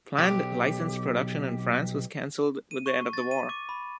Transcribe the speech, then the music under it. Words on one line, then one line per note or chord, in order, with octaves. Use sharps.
Planned licensed production in France was cancelled with the end of the war.
B1 G4
D#7
C#6
A6
D#7
D6
B5